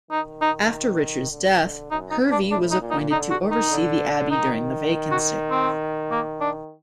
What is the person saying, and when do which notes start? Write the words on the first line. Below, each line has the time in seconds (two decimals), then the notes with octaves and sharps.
After Richard's death, Hervey was appointed to oversee the abbey during the vacancy.
0.11 D#3 D#4
0.41 D#4
1.31 D3
1.61 D3
1.91 F#2 D#4
2.11 D#4
2.21 G2
2.32 D4
2.51 A2 D4
2.71 D#4
2.81 A#2
2.91 D#4
3.10 D3 D#4
3.31 F#4
3.41 D#3
3.51 D#4
3.71 D3
4.31 D#3 D#4
5.11 F#4
5.51 C4
6.11 A#3
6.41 D4